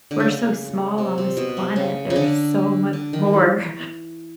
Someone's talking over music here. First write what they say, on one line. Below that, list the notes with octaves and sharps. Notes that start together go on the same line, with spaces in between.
We're so small on this planet. There's so much more
D3
C#3
C3
C3
B2
C3
C#3
C#3
D3
D3
D#3
E3